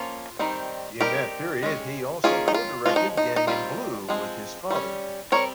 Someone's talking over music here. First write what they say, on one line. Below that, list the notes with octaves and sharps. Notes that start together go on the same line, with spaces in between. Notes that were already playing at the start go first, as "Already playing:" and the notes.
In that period he also co-directed "Gang in Blue" with his father.
Already playing: F3 A#3 C#4 F4
D#3 G3 C4 D#4
G3 C4 D#4 G4 A#4
G#3 C#4
D#3 A#3 C#4 F4 G#4
D#4
F4
F3 G#3 C#4 F4
D#4
D#4
D#4
D#3 G3 C4 F4
F3 G#3 C4
G3
C#4
G3 C4 D#4 A#4 C#5